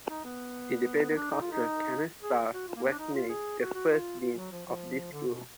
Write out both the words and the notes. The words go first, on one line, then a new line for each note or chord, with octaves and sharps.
Independent Counsel Kenneth Starr was named the first dean of this school.
D#4
B3
B3
D4
D#4
F4
D#4
G#4
F#4
F4
A#3
B3
D4
D#4
F4
G#4
F#4
F#4
F4
F4
F#3
F3
F3
D3
B2